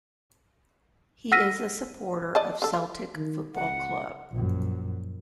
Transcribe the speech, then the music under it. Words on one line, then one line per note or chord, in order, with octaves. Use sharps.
He is a supporter of Celtic Football Club.
F#5 E6 F6 A#6 B6 D#7
D5 D#5 A5
D3 A4
F4
D#3
C#2 F#5
A#1 F#2